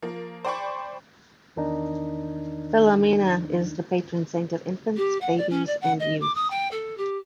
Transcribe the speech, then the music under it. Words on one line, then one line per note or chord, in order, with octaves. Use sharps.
Philomena is the patron saint of infants, babies, and youth.
F3 A#3
C5 D5 G5 B5 C#6
E2 D#3 D4 D#4
G4
F#5
D5
C#4
D5
F#5
D#5
D6
D#6
G5
A4
G4